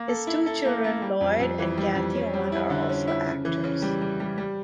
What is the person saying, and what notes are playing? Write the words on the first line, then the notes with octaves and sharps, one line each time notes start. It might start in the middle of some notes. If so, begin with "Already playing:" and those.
His two children, Lloyd and Cathy Owen, are also actors.
Already playing: A#3
A4
E4
A4
A#3
A#3
G3
F2
F2
E3
G3
F2
C#4
G3
E4
D3
C#4
E4
C#3
E3
C#3
G3
G3
G3
G3